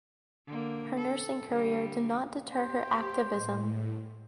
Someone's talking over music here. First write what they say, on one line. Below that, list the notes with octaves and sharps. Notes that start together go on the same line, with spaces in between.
Her nursing career did not deter her activism.
D3 A#3
A4
D3 G3
G4 C5
A2